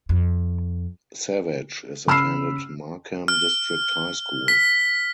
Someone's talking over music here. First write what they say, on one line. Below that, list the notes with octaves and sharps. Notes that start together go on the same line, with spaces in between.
Savage is attended Markham District High School.
F2
C#3 B5 E6 F6 C7 E7
F6
B6